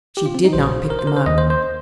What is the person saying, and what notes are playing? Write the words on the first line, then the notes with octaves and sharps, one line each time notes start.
She did not pick them up.
G4
F4
C4
D#4
A#1 A#2 C5
A#4
C5
A#4
C5
D#2 D#3 D#5
C5
C5